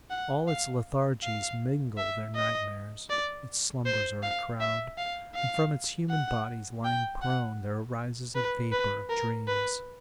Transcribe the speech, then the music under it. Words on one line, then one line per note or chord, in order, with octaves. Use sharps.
All its lethargies mingle their nightmares, its slumbers are a crowd, and from its human bodies lying prone there arises a vapour of dreams.
F#5
F5
F5
E5
D#5
D5
C5
F5
E5
F5
F5
F#5
G5
F#5
B4
B4
A#4
B4